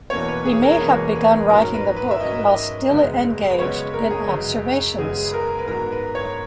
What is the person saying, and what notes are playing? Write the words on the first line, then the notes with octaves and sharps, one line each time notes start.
He may have begun writing the book while still engaged in observations.
E2 B2 A#3 C#4 C#5
B4
G#4
A#4
E2 B2 A#3 C#4 B4
B4
G#2 F#3 C#4 A#4
B4
B4
E5
G#2 F#3 C#4 D#5
F#2 C#3 G#3 B3
B4
F#2 C#3 G#3 B3 C#5
A#4
G#4
F#2 C#3 G#3 B3
F#2 C#3 G#3 B3 G#4
B4
A#4
B4
G#2 F#3 B3 A#4
B4
C#5